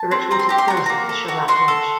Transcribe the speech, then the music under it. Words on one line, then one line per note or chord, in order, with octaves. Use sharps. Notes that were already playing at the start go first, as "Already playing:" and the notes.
The ritual took place after Shabbat lunch.
Already playing: A5
C4
C4 A#5
C6
G4 A#5
C6
F#4 A#5
C6
A#3 A#5
A4
F#4
F#4 C6
A4